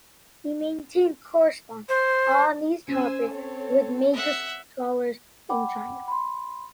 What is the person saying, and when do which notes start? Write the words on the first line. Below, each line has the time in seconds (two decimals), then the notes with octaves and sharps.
He maintained correspondence on these topics with major scholars in China.
1.89 C5
2.88 C#4 C5 G#5 E6
3.30 C4 A4 C#5
4.13 E5 F#5
5.49 F#5 G5 B5 D6
6.08 B5 C6